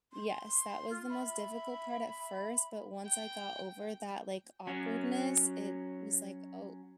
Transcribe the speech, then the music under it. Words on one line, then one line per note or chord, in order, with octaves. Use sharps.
Yes, that was the most difficult part at first, but once I got over that, like, awkwardness, it was, like, "Oh,"
C6
F4
E5 B5
G5
F#3 C#4